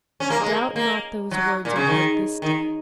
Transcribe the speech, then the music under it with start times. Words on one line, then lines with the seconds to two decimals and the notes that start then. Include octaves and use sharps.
Doubt not those words are heard this day.
0.20 C#4
0.30 A#3
0.40 G#3
0.50 A#3
0.76 A#3
1.31 F#3
1.65 A#2
1.76 C#3
1.87 D#3
2.42 D#3